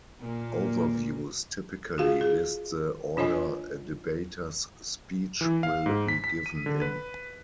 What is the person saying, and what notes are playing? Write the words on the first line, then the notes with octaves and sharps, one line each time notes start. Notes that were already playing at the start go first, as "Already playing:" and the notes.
Overviews typically list the order a debater's speech will be given in.
A#2 A#3
F4 F#4 G#4 F5
G#4
D4 F4 C#5 D#5 G#5
E3
F5
G#2
B6
B6
D#7
D3
B4